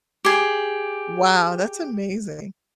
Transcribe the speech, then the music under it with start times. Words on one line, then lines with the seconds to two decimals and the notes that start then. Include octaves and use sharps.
wow, that's amazing!
0.25 G4 G#4